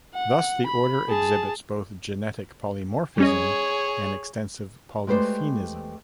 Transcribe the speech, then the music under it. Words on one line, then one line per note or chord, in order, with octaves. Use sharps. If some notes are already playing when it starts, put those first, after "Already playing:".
Thus the order exhibits both genetic polymorphism and extensive polyphenism.
F#5
B5
G#4 A5
G3 C#4 G#4 C#5 D#5
G#3 A3 G4 B4 C5 D5